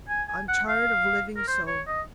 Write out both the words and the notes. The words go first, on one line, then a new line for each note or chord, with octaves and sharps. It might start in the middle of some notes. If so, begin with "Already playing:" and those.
I'm tired--of living so.
G#5
G#5
F#5
F5
A#4
C5
C#5
D#5